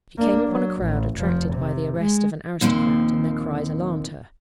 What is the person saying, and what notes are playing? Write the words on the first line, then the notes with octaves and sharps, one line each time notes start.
'She came upon a crowd attracted by the arrest of an aristocrat, and their cries alarmed her.
A#3 D4
F#3
A1
F1 F3
C3
G#3
D#2 A#2 F3 C4